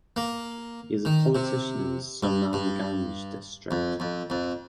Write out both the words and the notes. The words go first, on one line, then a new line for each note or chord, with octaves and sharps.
He is Politician in Sunamganj District.
A#3
D#3
C3
G2
G2
F2
F2
F2